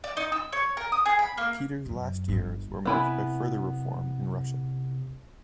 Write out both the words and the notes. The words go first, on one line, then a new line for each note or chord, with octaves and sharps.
Peter's last years were marked by further reform in Russia.
D5
D#4
E6
C#5
A#4
D#6
G#4
B5
A#3
F#2
G1
C3 B3 E4 G#5